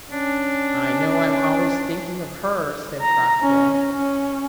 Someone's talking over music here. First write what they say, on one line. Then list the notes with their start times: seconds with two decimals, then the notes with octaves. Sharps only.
"I know I'm always thinking of her," said Crossjay.
0.11 C#4 D4
3.02 A#5
3.42 C#4
3.90 C#4